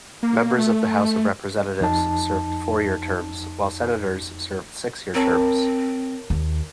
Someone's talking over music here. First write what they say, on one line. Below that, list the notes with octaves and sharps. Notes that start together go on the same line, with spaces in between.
Members of the House of Representatives served four-year terms, while senators served six-year terms.
A#3
A3
F2 D#4 A5
C4 A#4 C#5 A5
D#2